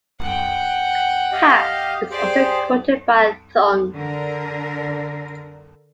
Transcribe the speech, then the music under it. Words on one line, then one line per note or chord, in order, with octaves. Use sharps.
"Taps" is also quoted by Thunes.
F#5 G5
G4 D#5 F5
G4 G#4 C5 D5
D3 A#4